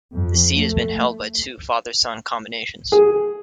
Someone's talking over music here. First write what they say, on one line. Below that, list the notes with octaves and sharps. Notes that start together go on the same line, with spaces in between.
The seat has been held by two father-son combinations.
F2
A3
G#4